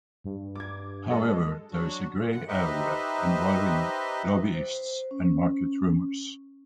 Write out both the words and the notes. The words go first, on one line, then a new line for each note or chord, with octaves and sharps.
However, there is a grey area involving lobbyists and market rumours.
G2
D6 G#6
G#3 A4 D#5
F#3 D4 F#4
G2 D3 E3 F#5
D#4 G4 B4 C5 D#5 E5
C5
C#4